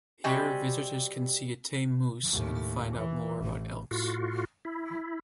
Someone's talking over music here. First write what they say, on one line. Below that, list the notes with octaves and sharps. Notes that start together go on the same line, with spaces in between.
Here visitors can see a tame moose and find out more about elks.
C3 G3 F#4 G4 D#5 G#5
D#2 A2
E3
A1
A2 F4 F#4
E4